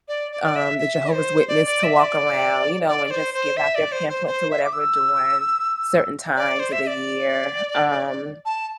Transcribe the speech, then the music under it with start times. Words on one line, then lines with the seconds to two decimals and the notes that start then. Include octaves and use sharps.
um, the Jehovah's Witness to walk around, you know, and just give out their pamphlets or whatever during certain times of the year, um
0.08 D5
0.31 D5
0.44 D5
0.56 E5
0.78 E5
1.13 C5
1.48 D5
1.66 D5
1.83 E5
2.00 D5
2.88 D5
3.07 D5
3.11 C5
3.34 C5
3.57 E5
3.75 D5
3.92 C5
4.09 C5
4.27 C5
4.51 E5
4.64 D6
4.73 E6
6.36 D5
6.59 C5
6.72 E5
6.82 E5
6.87 D5
8.45 A5